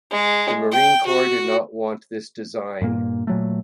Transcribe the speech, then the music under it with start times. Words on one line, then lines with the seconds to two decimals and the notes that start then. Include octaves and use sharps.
The Marine Corps did not want this design.
0.11 G#3
0.71 G5
1.06 F#4
2.81 G2 A#2 A#3
3.27 A#2 F#3 A3